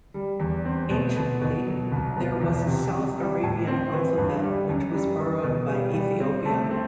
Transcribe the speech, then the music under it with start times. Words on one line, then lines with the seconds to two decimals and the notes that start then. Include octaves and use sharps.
Anciently, there was a South Arabian alphabet, which was borrowed by Ethiopia.
0.14 G3
0.40 E2
0.65 C4
0.90 B2
1.16 B2
1.41 B2
1.67 F#3
1.92 C2
2.16 B2
2.41 E2
2.67 C3
2.93 C3
3.18 G3
3.43 A2
3.67 C4
3.93 E3
4.18 G2
4.43 G3
4.69 F#2
4.93 G3
5.19 E3
5.44 B2
5.69 G3
5.94 G3
6.20 C4
6.45 A3
6.71 C4